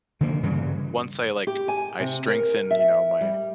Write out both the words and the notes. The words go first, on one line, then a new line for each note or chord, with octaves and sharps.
once I, like, I strengthen, you know, my
D3 D#3 F3 A#3
G2 C#3 E3 G3
G4
G#5
C3
A#4
E5
G3